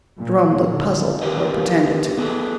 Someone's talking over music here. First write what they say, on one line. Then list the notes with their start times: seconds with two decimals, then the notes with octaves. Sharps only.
Jerome looked puzzled, or pretended to.
0.17 A#2
0.70 D3
1.22 D#3 G4 A#4 B4 D#5
2.17 B3 G#4 A4 B4